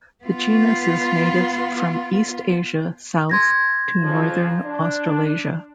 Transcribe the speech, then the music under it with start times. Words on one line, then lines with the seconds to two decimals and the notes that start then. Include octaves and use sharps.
The genus is native from east Asia south to northern Australasia.
0.24 B3 F4
3.30 C6 G#6 A#6
4.02 F2 C#3 F3
4.64 D4